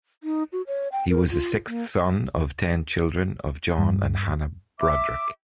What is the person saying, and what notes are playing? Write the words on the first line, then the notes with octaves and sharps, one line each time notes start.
He was the sixth son of ten children of John and Hannah Brodrick.
D#4
F#4
C#5
G5
A#4
F4
A#3
G2
E5 D6